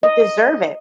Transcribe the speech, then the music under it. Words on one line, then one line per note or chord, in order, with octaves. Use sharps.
you deserve it.
D#5